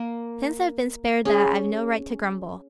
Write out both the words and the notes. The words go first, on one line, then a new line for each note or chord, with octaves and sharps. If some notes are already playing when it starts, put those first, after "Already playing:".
Since I've been spared that, I've no right to grumble.
Already playing: A#3
C#4 G#4